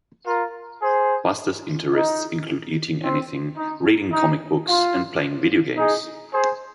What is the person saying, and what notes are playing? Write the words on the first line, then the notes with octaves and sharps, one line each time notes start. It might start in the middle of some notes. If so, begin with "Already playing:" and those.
Buster's interests include eating anything, reading comic books, and playing video games.
F4 A#4
G#4 C5
D#4
C4
D#4
D#4
F4
D#4 G#4
G#4 C5